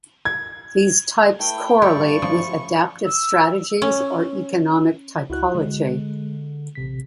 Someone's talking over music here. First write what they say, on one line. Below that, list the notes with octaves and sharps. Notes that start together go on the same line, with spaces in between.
These types correlate with adaptive strategies or economic typology.
G#6
A3 E4 B4 G5
G2 G4 D5 C#6
F3 C#4
E6
C#4
C#2 E4 F#4 F#6
D3 G#3
A1 C3 B6